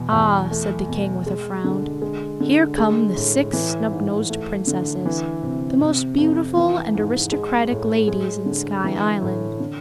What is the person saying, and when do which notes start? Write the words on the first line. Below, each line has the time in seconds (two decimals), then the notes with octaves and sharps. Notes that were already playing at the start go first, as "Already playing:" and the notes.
"Ah," said the King, with a frown, "here come the Six Snubnosed Princesses--the most beautiful and aristocratic ladies in Sky Island."
Already playing: E2 B2
0.12 E2
0.51 A3
0.88 B2
1.26 G#3
1.64 D3
2.02 G#3
2.40 D3
2.78 G#3
3.16 A2
3.53 E3
3.91 G#2
4.30 A3
4.67 D3
5.06 E3
5.43 C3
5.81 C3
6.18 F2
6.57 E3
6.95 G#2
7.32 G#3
7.71 A2
8.08 G#3
8.46 D3
8.84 E3
9.22 A2
9.60 D3